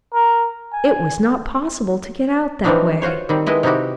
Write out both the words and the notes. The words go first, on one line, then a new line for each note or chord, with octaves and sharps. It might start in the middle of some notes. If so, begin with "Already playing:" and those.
It was not possible to get out that way.
A#4
G#5
E3 F3 G3 C4 D4 D#4
F4 F#4 C5 C#5
D#3 G3 C4
D#3 G#3 B3 E4 D#5
C3 D#4 E4 F#4 G4